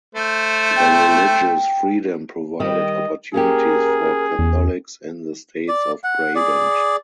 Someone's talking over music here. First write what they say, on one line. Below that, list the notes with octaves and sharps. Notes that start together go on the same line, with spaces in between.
The religious freedom provided opportunities for Catholics in the States of Brabant.
A3 C5
G5
D#3 G3 D#5
A#3 C#4 G4 G#4 A#4
E2
D5
F#5
G#4 D5